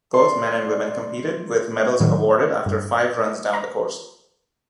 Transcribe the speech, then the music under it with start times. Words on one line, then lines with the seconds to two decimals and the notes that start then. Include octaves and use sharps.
Both men and women competed, with medals awarded after five runs down the course.
0.14 D5 C6
2.00 A2 D#3 F#3
2.66 G2
3.53 A#5